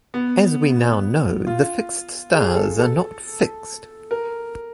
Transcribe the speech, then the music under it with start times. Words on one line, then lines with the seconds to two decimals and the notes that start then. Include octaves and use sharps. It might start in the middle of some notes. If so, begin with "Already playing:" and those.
As we now know, the fixed stars are not "fixed".
0.14 B3
1.47 F4
2.34 G#4
2.56 A4
2.79 A4
4.11 A#4